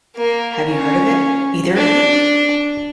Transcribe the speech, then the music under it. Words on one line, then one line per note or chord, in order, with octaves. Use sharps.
Have you heard of it, either of you?
A#3
C#4
D4